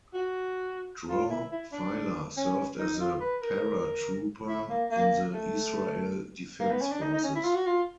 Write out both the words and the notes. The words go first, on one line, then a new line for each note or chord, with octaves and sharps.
Dror Feiler served as a paratrooper in the Israel Defense Forces.
F#4
F4
E4
E4
D4
C#4
D#4
F4
B4
A#4
E4
A#3
A#3
A3
A#3
B3
C#4
D4
D#4
D#4
C#4
E4
F4
F#4
F4